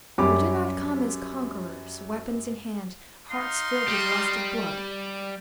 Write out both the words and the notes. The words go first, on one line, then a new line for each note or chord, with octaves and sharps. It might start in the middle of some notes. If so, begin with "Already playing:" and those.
We do not come as conquerors, weapons in hand, hearts filled with lust of blood.
F#2 G3 C#4 G4 D6
D#4 F5 C6
G3